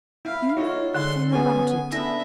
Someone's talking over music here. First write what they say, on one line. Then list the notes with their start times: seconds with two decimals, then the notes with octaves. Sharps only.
You know nothing about it.
0.25 E4 F5
0.57 D#4 F4 F#4 A4 C#5
0.95 G#2 D3 A4 C6
1.33 B3 C#4 F#4 G#4 G#5
1.92 D3 B3 E4 E5 A#6